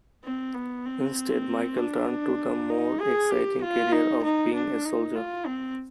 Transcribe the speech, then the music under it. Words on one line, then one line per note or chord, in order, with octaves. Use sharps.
Instead, Michel turned to the more exciting career of being a soldier.
C4
B3
C4
D4
D#4
G#4
G4
F4
D#4
D#4
D4
D#4
F4
C4